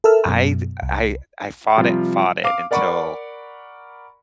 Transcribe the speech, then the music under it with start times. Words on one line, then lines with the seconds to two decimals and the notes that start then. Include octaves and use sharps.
I've I I fought it and fought it until
0.04 A4 A#4 E5 A5 E6 F6
0.25 F#2 B2
0.82 C2
1.77 C3 F3 G3 F4
2.44 F5 D6
2.71 A#4 D5 F#5 B5 C#6